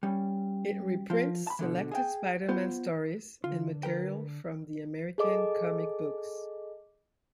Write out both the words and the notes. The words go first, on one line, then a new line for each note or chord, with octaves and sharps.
It reprints selected Spider-Man stories and material from the American comic books.
G3 C#4
F3 F4
A5 B5
B2 D3 E3
G#4 E5 G5
B3 F4 C5
D3 F4
A#4 B4 G5
G#4 A4 D#5 D6